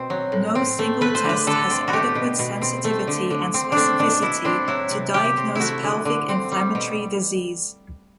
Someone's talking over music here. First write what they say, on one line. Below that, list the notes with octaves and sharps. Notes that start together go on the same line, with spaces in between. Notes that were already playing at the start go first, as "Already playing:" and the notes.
No single test has adequate sensitivity and specificity to diagnose pelvic inflammatory disease.
Already playing: B2 C4
F#3
A2
C4
A3
A3 B4
C5
D3 B4
D3 A4
C4
F#4
A3 G4
B2
B2
C4
A3
D3
D3
C4
A3 C4 D4
B2 D4
B2 E4
C4 D4
F#3 E4
C3
C3 G4
C4
A3 E4 F#4
D3
D3
C4
G3
B2